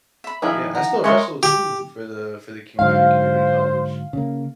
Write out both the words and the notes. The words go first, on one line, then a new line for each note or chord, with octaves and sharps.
yeah, I still wrestle, too, for the for the commu my community college.
E5 B5
D#3 F3 E4 G#4
F#5 A#5
G#3 A#4 C#5 E5 C6 C#6
G4
G#2 D3 F#3 C5 F5
C#3 A#3